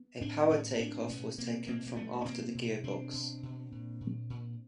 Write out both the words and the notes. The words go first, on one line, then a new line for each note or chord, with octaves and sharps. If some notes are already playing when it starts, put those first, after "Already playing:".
A power take-off was taken from after the gearbox.
Already playing: B3
A2 C4 D4
A2 B3 C#4
A2 C4 D4
B2 B3 C#4
B2 A#3 C4
B2 A#3 C4
A#3
B2 A3 B3
C#4
B2 A#3 C4
B2
B2 C4 D4
B2
B2
A#2
A#2
A#2